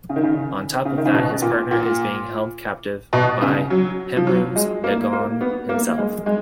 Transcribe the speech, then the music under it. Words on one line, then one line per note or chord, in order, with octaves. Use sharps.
On top of that, his partner is being held captive by Mehrunes Dagon himself.
C#3
D#3
C#3
C#3
D#3
C#3
B2
A#2
A#2
B2
C#3
F#3
F3
F#3
G#3
A#3
A#3
B3
A#3
G#3
G#3